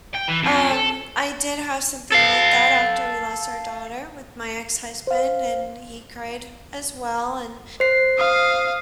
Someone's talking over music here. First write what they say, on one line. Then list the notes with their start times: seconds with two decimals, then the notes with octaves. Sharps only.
um, I did have something like that after we lost our daughter with my ex-husband, and he cried, as well, and
0.15 G5
0.29 E3
0.43 F2
0.71 A4
2.12 A4 F5
5.07 C5 F5
7.80 C5 C7
8.18 F5 D#6